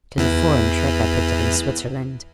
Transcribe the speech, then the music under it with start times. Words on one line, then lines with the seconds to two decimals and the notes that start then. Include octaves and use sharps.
'Tis a foreign trick I picked up in Switzerland.
0.17 E2 E3